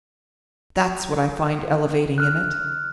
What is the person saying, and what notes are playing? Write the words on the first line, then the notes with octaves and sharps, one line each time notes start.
That's what I find elevating in it.
F6 F#6